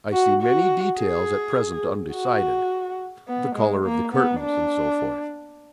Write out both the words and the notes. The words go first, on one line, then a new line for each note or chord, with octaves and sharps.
I see many details at present undecided--the colour of the curtains, and so forth.
F#4
F#4
G#4
F#4
B3
G#3
A#3
B3
D4